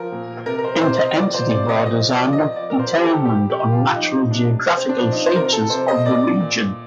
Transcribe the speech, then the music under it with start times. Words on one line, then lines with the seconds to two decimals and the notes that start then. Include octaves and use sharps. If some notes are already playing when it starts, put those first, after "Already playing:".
Inter-entity borders are not determined on natural geographical features of the region.
Already playing: F3 A#4
0.12 A#2
0.46 C3 A#4
0.59 A#4
0.64 C5
0.81 C3 C5
0.99 D#5
1.16 F3 D5
1.34 C5
1.51 C3 D5
1.69 D#5
1.86 F3 D#5
2.09 D5
2.21 F3
2.33 D#5
2.56 F3 D5
2.70 A#4
2.79 C5
2.91 F3
2.98 G4
3.03 A4
3.25 G3 G4
3.50 G4
3.61 G3
3.72 F4
3.85 F4
3.96 F3 D#4
4.30 C3 D4
4.66 C3 C4
4.89 D4
5.01 F3
5.12 D#4
5.26 C5
5.36 C3 A#4
5.53 A4
5.70 C3 C5
5.88 D#5
6.06 A#2 D5
6.40 A#2